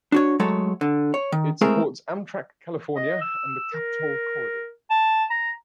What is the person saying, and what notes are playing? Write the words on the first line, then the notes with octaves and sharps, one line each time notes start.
It supports Amtrak California and the "Capitol Corridor".
D4 F#4 C#5
F#3 G#3 A3 A4 C#5
D3
C#5
D#3
G#3 A3 C4 E4 G#4 A#4
D#5
E6
A#4
A5
A#5